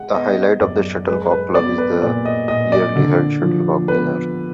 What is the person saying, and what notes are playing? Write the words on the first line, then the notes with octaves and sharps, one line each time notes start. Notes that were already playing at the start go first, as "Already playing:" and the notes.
The highlight of the Shuttlecock Club is the yearly held Shuttlecock dinner.
Already playing: G#3 F#5
B3 D#5
F#2 D5
G#3 B4
B4
B3 D5
B4
A#2 D5
D#5
A#2 D#5
D5
D3
F3
B3 B4